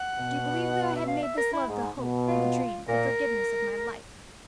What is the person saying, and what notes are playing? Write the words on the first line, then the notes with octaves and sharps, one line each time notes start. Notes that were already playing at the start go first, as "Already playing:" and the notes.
"Do you believe that I had made this love the hope, the dream, the forgiveness--of my life?"
Already playing: F#5
B2
E5
F5
E5
A#4
E4
G#2
B2
F4
A#2 A#4